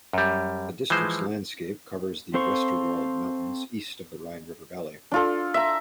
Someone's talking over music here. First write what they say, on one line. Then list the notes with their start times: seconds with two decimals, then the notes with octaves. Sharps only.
The districts landscape covers the Westerwald mountains, east of the Rhine river valley.
0.13 F#2 G3
0.90 E3 F3 G#3 C5
2.34 C4 A4 C5 F5 C#6
5.11 D4 F4 A4
5.54 E5 A#5